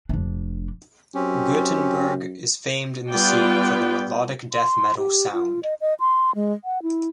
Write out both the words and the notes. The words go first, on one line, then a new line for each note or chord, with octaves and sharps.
Gothenburg is famed in the scene for the "melodic death metal" sound.
F1 D4
F#2 C4 C#4 G4
G3 B3 F4 D5 G5
C6
G4
F4
D#5
D#5
C6
G#3
F#5
E4